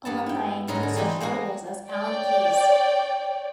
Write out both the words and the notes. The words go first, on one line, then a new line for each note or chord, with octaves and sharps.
Alumni include such notables as Alan Keyes.
G2 B3 A5
E4 G5
G#2 F#3 D#4 A#4 B5
D3
E3 G3 C4 D#4 G4 B5
G#3 A#3 B3 F#4
C#5 D5 G5